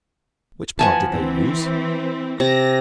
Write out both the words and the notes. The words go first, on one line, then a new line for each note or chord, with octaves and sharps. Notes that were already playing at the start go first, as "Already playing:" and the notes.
Which part did they use?
E3 F3 F#5 G#5 A5
E3 C4
C3 A#6